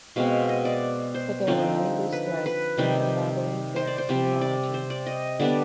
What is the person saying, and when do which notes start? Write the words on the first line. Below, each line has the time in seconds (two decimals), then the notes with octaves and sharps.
But there were many loose threads in unravelling their genealogy.
0.16 B2 G#3 C4 F5
0.49 D#5
0.65 D5
1.14 C5
1.47 D3 F3 C4 D#4
2.12 B4
2.46 B4
2.78 C3 D#3 G3
3.76 C5
3.87 D5
3.98 C5
4.09 C3 G3 C4
4.41 D5
4.74 C5
4.90 D5
5.06 D#5
5.40 D3 G3 B3 D4 D5